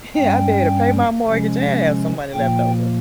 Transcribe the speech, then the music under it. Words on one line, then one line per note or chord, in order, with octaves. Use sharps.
Yeah, I'd be able to pay my mortgage and have some money left over.
G2 G3 C#4 G5
C3 F3 G#3 C#4
A#2 F3 A#3 G5